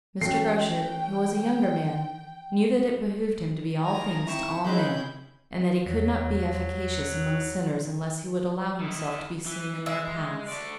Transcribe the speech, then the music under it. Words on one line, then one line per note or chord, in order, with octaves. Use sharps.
Mr. Groschut, who was a younger man, knew that it behoved him to be all things to all men, and that he could not be efficacious among sinners unless he would allow himself to be seen in their paths.
E3 A3 C#4 F#4 G5 C7
D#3 F3 G#5 A#5 F7
C4 E4 C#6 E7
F#3 G#3 C#4 D#4 E4 G#4 B5 G6
E2 F#3
D#3 E4
E3
G#3 E5
A3 D5